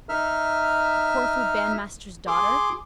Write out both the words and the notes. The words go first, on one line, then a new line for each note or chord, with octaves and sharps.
A Corfu bandmaster's daughter!
D#4 E5 F6
G#4 C6 D6